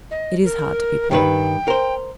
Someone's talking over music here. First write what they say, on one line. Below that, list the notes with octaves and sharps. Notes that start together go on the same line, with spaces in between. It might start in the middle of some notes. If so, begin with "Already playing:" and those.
It is hard to be poor.
D#5
A#4
G2 D#3 B4 G5
A#4 C5